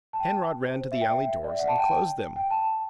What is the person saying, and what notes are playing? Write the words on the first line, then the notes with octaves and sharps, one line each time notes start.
Penrod ran to the alley doors and closed them.
A5
G5
C5
E5
G5
E5
D5
E5
F#5
A5
G5
G5
A5